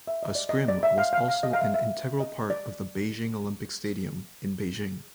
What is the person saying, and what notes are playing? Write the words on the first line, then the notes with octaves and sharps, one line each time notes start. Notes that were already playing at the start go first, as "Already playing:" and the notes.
A scrim was also an integral part of the Beijing Olympic Stadium in Beijing.
E5
D#5
D5
D#5
D5
E5
F5
F5
F5
D#5
F5
E5
E5
D#5
D5